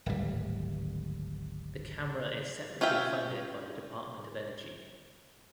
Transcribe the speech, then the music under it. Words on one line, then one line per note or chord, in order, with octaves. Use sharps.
The camera is separately funded by the Department of Energy.
D1 G#1 G3
C#4 F4 E5 G5